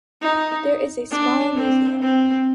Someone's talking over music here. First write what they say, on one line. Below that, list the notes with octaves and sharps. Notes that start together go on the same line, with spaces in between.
There is a small museum.
D#4
D4
C4
C4